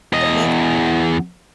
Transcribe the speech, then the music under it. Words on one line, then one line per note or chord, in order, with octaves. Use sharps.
That makes
E2 D#5